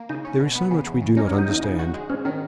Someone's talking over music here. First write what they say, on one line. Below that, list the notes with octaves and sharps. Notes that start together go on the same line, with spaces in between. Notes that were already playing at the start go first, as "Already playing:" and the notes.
There is so much we do not understand.
Already playing: A#3
C#3 D#4
C#4
B2
B3
C#3
E2
C#3
C#4 D#4
C#4
F#3
D#4
E2
C#3
F#4
G#3
G#2 C#4
D#3 C#4